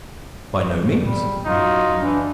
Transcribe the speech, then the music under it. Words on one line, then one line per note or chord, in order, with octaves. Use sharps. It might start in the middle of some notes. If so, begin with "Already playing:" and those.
"By no means."
A#2 G3
F#2 F#3 D#4 F4
E3 D4